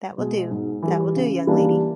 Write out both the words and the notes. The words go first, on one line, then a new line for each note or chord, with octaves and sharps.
That will do, that will do, young lady.
B2 G#3
G#2
E3
G3
C#3
E3 G3 A#3 D4